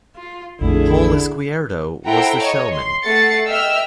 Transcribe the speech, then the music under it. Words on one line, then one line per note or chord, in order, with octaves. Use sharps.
Pol Izquierdo was the showman.
F4
A#1 F2 D3 A3 E4 G#4
E4 A4 C5 F#5 G5 A#5
C#5 D#5
C6
A3 F#5 A6 C7 C#7
D#5 E5 G5 E6 F6